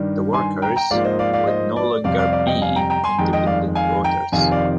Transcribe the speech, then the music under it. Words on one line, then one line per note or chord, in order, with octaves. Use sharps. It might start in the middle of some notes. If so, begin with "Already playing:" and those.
The workers would no longer be independent voters.
Already playing: G2 D#3 G3
G#5 C6
G5 A#5
G5 A#5
G#2 F3 A#3 D5 F5
C5 D#5
D5 F5
D5 F5
C5 D#5
D5
F2 C3 G3 D5 F5
D5 F5
D5 F5
D#5 G5
F5 G#5
G5 A#5
G5 A#5
G#5 C6
F2 D#3 G#3 G5 A#5
D#5 G5
D5 F5
F5 G#5
G5 A#5
F2 C3 D#3 F5 G#5
D5 F5